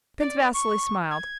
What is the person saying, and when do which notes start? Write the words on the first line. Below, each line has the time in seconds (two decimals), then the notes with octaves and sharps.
Prince Vasili smiled.
0.19 D5
0.53 C#6
1.10 G#6